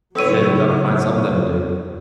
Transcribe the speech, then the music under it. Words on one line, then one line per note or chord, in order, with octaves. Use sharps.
Yeah, you gotta find something to do.
C#3 F#3 B3 E4 A4 C#5 E6 D#7